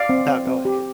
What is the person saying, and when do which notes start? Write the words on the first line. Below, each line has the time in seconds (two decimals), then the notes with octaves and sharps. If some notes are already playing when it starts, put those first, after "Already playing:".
Oh, go ahead.
Already playing: D5 F5
0.09 C4
0.28 C4
0.47 C4
0.65 G4